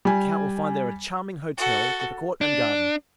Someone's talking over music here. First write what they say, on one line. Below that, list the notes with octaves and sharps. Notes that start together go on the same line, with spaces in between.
"The count will find there a charming hotel, with a court and garden."
G3 G#5
F#4 A4
D4